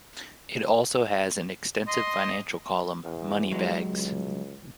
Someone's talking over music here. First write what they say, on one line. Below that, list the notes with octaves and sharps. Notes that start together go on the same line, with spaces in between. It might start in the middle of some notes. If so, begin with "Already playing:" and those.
It also has an extensive financial column, "Moneybags".
D#5 C6
E2
E2 F#3 G#3
C#2